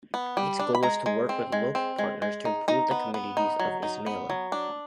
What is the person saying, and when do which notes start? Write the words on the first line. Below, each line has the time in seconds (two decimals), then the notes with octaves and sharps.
Its goal is to work with local partners to improve the communities in Ismailia.
0.14 B3
0.37 G3
0.59 D4
0.75 B5
0.83 G#3 A#5
1.06 G#3
1.29 C4
1.52 G#3
1.75 C4
1.99 G#3
2.22 G#3
2.45 D#4
2.68 D#4 A#5
2.91 B3
3.14 B3
3.37 D#4
3.60 F#3
3.83 D#4
4.06 B3
4.30 F#3
4.52 D4